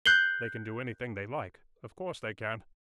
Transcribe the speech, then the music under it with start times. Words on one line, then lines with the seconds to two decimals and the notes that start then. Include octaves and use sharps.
They can do anything they like. Of course they can.
0.06 F#6 G6 C7 F#7 G7